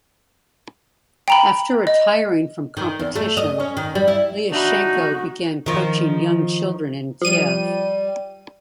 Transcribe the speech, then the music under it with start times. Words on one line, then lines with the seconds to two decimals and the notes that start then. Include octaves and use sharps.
After retiring from competition, Liashenko began coaching young children in Kiev.
1.28 G5 A#5 B5
1.87 D#5
2.77 D#3
2.99 E2
3.16 A3
3.37 D#5
3.60 C#4
3.77 D#3
3.95 G3
4.08 E4
4.52 D4 D#4 F#4 E5 B5
5.66 D#3 F3
7.22 F3 G3 D#7